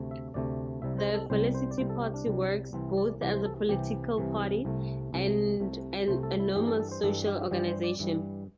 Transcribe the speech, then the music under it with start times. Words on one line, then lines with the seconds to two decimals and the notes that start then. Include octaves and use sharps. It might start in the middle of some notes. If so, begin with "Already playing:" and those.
The Felicity Party works both as a political party and an enormous social organization.
Already playing: D2 C3 A3
0.11 E5
0.34 D2 C3 A3 D5
0.82 C2 C3 G3 E5
0.99 C5
1.14 A4
1.30 C2 C3 G3 C5
1.54 C5
1.71 D5
1.78 C2 C3 G3 C5
1.90 A4
2.01 G4
2.14 D4
2.26 C2 C3 G3
2.73 C2 C3 E3 C4
2.97 D5
3.21 C2 C3 E3 D5
3.34 C5
3.45 A4
3.69 C2 C3 E3 G4
4.17 C2 C3 E3
4.65 C2 C3 A3
5.13 C2 C3 A3
5.60 C2 C3 A3
6.07 C2 C3 A3 C5
6.23 A4
6.40 E4
6.56 G2 E3 G3 G4
6.67 A4
6.80 A4
6.92 C5
7.03 G2 E3 G3 A4
7.27 G4
7.51 G2 E3 G3 G4
7.67 C5
7.84 D5
7.99 G2 E3 G3